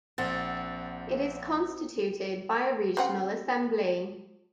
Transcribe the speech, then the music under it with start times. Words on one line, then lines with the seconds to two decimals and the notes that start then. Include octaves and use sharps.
It is constituted by a "Regional Assembly".
0.18 A#1 C4 F#5 A6
2.97 C#3 C4 F#5